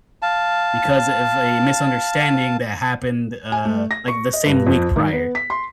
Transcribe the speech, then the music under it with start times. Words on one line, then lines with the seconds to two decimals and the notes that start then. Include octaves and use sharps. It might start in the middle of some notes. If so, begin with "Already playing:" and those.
because, eh, of a misunderstanding that happened, uh, like, the same week prior.
0.22 F5 A5
3.52 G#5
3.65 A3
3.91 A#6
4.08 C#6
4.33 D#5
4.46 G2
4.67 F2
4.96 D#3
5.13 B3
5.35 B6
5.50 C6